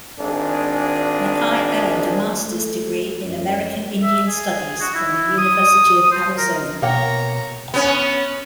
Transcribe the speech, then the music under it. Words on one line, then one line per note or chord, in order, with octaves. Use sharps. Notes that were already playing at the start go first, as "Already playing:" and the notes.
Nakai earned a master's degree in American Indian studies from the University of Arizona.
G#1 D4 G#4
A3
F#2
E5
G#4
F#4
E4
D#6
C5
A#4
B2 A#3 C#5 F#5 G5 A#5
B3 C#4